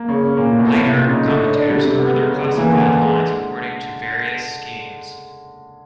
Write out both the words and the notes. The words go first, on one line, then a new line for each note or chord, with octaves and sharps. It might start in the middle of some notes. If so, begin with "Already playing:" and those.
Later commentators further classified lines according to various schemes.
Already playing: A#3
C#3
C#4
A#2 A#3
A2
B2
A2
C3 A#3
A#2
C#3
D#4
D3 A3
A2
D4
D3 G3
C3
B3
G#3
C#3
C#3
E3 A#3
D3
D3
G#3